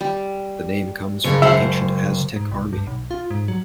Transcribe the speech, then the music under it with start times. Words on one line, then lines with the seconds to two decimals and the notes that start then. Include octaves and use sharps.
The name comes from the ancient Aztec army.
0.01 G3
1.24 F#1 C#3 C#5
1.42 C#2 A#4 C5 E5 F#5 A5
2.36 G#2
2.51 C2
2.73 G2
2.87 B1
3.11 F4
3.30 G#2
3.48 F#3